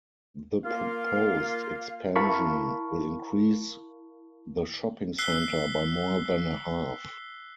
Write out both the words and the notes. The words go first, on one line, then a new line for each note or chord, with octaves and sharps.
The proposed expansion will increase the shopping centre by more than a half.
A#3 F4 F5
E4 A#4 F5 A5 B5 C#6
E6 F#6 B6 C7 G7